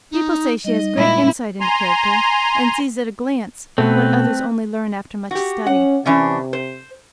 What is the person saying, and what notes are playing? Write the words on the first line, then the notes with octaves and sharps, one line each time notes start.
People say she has great insight into character, and sees, at a glance, what others only learn after much study.
D#4
G3 D#4 D#5
A#2 G#3 E4
G#5 A#5 C6
B2 A3 C4 B4
F#4 G4
C#4 F#5
C3 E3 C#4 D4
C5